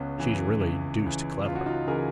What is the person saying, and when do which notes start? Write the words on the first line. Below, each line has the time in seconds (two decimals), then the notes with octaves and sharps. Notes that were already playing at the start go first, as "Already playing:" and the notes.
She's really deuced clever.'
Already playing: C#2 B3 C#4
0.18 C#3 E3
0.60 C#2
1.02 C#3 E3
1.44 C#2 F4
1.55 F#4
1.66 D#4 F4
1.87 C#3 E3 G#4 A#4